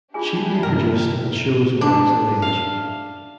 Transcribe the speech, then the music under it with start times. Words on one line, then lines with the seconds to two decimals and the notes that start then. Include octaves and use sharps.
Cheaply produced and shows marks of age.
0.14 D4 E4 F4 G4 G#4 G#5
0.63 G2 C3 A#4
1.81 D4
2.42 F5